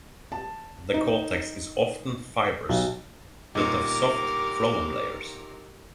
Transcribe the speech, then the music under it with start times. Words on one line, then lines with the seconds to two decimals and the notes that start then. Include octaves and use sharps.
The cortex is often fibrous, built of soft phloem layers.
0.32 A5
0.94 D#4
2.69 B1
3.55 G1 A#2 D#4 G4 A#4 D6 C#7